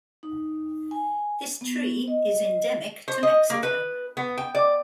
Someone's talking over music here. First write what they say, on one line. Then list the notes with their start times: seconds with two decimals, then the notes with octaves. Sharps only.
This tree is endemic to Mexico.
0.23 D#4
0.91 G#5
1.61 B3
2.08 D#5
3.08 C5
3.23 D#5
3.50 A#3
3.63 B4
4.17 B3
4.38 G5
4.55 D5